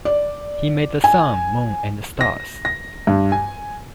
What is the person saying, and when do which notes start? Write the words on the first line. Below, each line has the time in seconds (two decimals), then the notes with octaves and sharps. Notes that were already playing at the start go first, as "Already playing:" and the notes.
He made the sun, moon, and the stars.
0.05 D5
1.04 G#5
2.21 A#6
2.65 A#6
3.07 G2
3.32 G#5